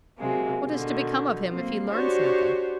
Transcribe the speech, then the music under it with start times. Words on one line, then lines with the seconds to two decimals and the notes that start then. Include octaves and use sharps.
"What is to become of him if he learns nothing?"
0.18 C3 F#3 G#3 A#3
0.68 B2 D3 D#3
1.51 F#3 A#3 C4
1.89 D4 F#4 G4 C5 C#5